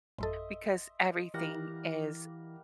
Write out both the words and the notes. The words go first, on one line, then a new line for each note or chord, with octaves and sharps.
because everything is
A1 F#2 A4 D#5 E5 C6
E3 G3 A#3 E4 F#5 A#6